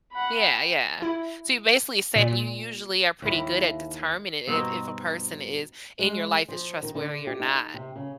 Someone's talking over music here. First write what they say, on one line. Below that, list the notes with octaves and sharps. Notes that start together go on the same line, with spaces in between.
Yeah, yeah. So, you're basically saying you usually are pretty good at determining if if a person is in your life is trustworthy or not.
F#5 B5
G5
E4
A#2
D#2 E4
G2 B2 C4 D#4
G#3
F3
D#3
D3
G4
D#4
C3
C#3